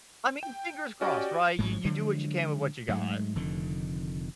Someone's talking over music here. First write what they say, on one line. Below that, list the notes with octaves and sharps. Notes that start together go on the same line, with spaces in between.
I mean, fingers crossed, right? You you do what you can with what you got.
G5
C#4 F#4 G4 D5 D#5
A1 G#2 G#3
D3 F3 F#3 G#3
G#2 F#3 G#3 A3
F1 F2 D3 D#3